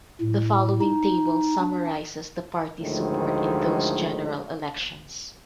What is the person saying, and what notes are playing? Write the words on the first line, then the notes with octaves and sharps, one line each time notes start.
The following table summarises the party's support in those general elections.
A2
D#4
D4
D2 A2 D3 D#3 F3 G#3